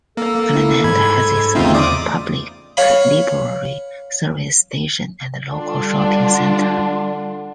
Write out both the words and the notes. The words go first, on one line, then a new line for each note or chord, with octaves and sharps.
Glenanda has its own public library, service station and local shopping centre.
A#3 A4
E4
G#2 B5 G#6
E2 C#3 A3 C4 D#4 F4 E5
F4 D5 D6 D#6
C#5 F5 B5
D3 G3 D4 F4